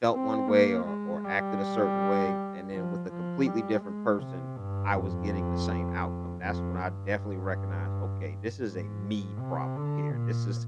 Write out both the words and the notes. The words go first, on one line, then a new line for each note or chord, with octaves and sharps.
felt one way or or acted a certain way, and then with a completely different person, I was getting the same outcome, that's when I definitely recognized, "Okay, this is a me problem here, this is
C4
A#3
G#3
G3
F3
F3
G3
G#3
C3
G2
F2
F2
G2
G#2
C3
D3
A#2